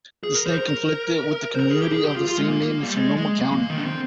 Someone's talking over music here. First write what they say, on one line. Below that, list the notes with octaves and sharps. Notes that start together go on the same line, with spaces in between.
This name conflicted with the community of the same name in Sonoma County.
G#4
A#4
C5
A#4
C5
A#4
G#4
G4
G#4
G4
F4
F4
G#3
A#3
G3
G#3
G#3
A#3
G#3
A#3
D#3
D4
C4